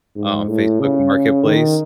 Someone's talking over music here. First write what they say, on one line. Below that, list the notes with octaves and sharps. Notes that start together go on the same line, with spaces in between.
uh, on Facebook Marketplace,
G#2
A2
C#3
D#3